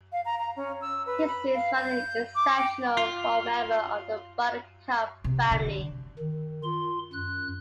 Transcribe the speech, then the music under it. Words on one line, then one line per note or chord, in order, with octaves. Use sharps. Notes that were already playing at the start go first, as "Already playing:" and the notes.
This is rather exceptional for a member of the buttercup family.
F5
A#5
A#5
C#4
E6
B4
B5
F5
G6
D6
G5
F4
C3
D3
D#3
F4 C6
F#2 F#6